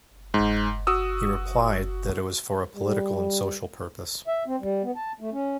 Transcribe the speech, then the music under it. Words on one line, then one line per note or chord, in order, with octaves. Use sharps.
He replied that it was for a "political and social purpose".
G#2
F#4 D#6 E6
G3
E5
C4
G3
B3
A5
A3
C#4